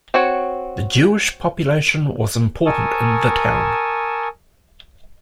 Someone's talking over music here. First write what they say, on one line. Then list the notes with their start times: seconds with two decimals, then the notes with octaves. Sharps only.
The Jewish population was important in the town.
0.14 C4 F#4 C#5
2.66 A#4 G#5 A5 C#6 D#6 E6